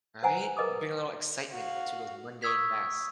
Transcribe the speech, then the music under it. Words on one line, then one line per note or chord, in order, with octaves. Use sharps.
Right? Bring a little excitement to those mundane tasks.
B4 C5 F#5 G#5 A#5
A#4 B4 D#5 D6 D#6
F#4 F5
C#6 D#6 E6 G#6 B6